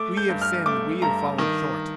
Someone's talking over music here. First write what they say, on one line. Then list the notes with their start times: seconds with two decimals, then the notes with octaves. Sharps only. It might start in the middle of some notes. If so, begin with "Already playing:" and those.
We have sinned, we have fallen short.
Already playing: A3 D6
0.17 G6
0.29 G2
0.42 F6
0.66 A3 D6
1.02 G2 A#5
1.38 D#3